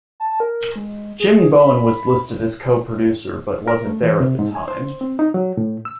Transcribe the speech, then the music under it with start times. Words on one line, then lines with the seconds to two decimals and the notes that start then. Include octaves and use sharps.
Jimmy Bowen was listed as co-producer but wasn't there at the time.
0.20 A5
0.40 A#4
0.76 G#3
1.20 G#4
1.59 B5
3.68 A#4
3.87 A3
4.02 E3
4.20 C3
4.39 G#2
4.55 G#5
4.68 C5
5.01 C4
5.19 D#4
5.34 F#3
5.57 A2
5.85 E6